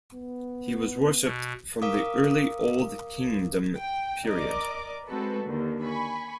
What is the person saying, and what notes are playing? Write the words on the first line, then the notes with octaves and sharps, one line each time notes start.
He was worshipped from the early Old Kingdom period.
B3
B2
A#4 F5 D6 D#6
G5
A#4 D5 D#5 D6
G#3 C4 F#4 A4 B4
D#2 D3
G#5 B5 C#6